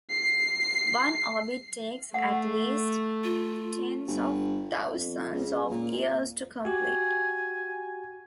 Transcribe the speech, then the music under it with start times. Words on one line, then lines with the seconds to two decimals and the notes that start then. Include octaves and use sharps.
One orbit takes at least tens of thousands of years to complete.
0.11 C7
2.14 A3 F#5
3.24 F4
4.07 G1
4.93 F2
5.32 C#2
5.71 A#2
6.65 F#4 G4 G#5